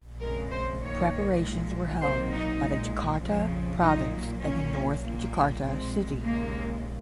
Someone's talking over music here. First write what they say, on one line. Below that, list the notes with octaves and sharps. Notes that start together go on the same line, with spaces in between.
Preparations were held by the Jakarta province and the North Jakarta City.
F2 C#3 G#3 A#4
C5
F#2 D#3 A#3 C#5
A#2 G#3
C3 D#3 F#3 A#3 C5
D#4
A#2 G#3
F2 C#3 F3
A#2 F#3 A#3 D#4
A#2 F#3 A#3 C#4
A#2 F#3 A#3
A#2 G#3 C4
D#2 C#3 G#3 A#3